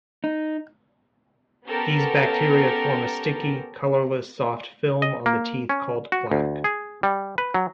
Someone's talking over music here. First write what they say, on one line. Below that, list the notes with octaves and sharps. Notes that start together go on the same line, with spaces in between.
These bacteria form a sticky, colorless soft film on the teeth called plaque.
D#4
B3 C#4 G4 A4 A#4
D#5
A#3
C#4
F#4
D2
G#4
G3
B4
F#3